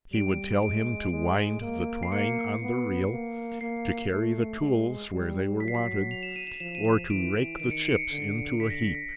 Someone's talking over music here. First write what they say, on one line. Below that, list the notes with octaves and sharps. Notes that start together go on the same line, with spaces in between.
He would tell him to wind the twine on the reel, to carry the tools where they were wanted, or to rake the chips into a heap.
G3 D7
G#3 D7
G#3
A#3
C7
A#3 C#7
B3
A#3
A#3 C7
A3
G#3
G3
F#3 B6
C7
B6
F7
E7
D#7
E7
F3 E7
D#7
E7
E3 D7
D#3 D7
C#7
C7
C#7
D3
D3 B6
A#6
B6